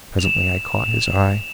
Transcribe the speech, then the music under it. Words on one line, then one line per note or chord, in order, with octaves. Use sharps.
Presently I caught his eye.
F7
E7
F7